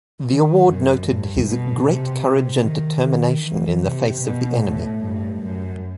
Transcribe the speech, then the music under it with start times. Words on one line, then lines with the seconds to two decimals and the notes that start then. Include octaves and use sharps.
The award noted his "great courage and determination in the face of the enemy".
0.28 D#3
0.67 F#2
1.06 G2
1.46 B2
1.85 C3
2.63 D#3
3.03 D#3
3.42 E3
3.81 C3
4.21 B2
4.60 A2
5.00 G2
5.39 F#2